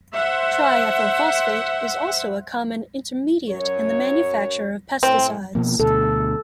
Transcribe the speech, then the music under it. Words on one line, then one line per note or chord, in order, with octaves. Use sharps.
Triethyl phosphate is also a common intermediate in the manufacture of pesticides.
C5 E5 F#5
F#2 C#5
A2 C4
B2 F3 A#3
D2 B2 A4